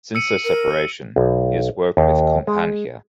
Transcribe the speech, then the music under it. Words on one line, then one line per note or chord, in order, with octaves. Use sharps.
Since their separation, he has worked with Companhia.
E6 C#7 D#7
A#4
B1
D#2
G#3